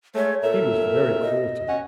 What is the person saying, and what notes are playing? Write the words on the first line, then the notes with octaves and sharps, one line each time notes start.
He was very cruel to me.
G#3 A3 C#5
A#2 A4 A#4 E5
D#5
C#4 F#5